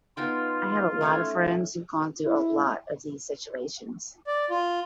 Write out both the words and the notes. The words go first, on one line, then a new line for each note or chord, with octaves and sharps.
I have a lot of friends who've gone through a lot of these situations.
B3 D#4 F4 G5
A3 C#4 C#5
E4
D5
F4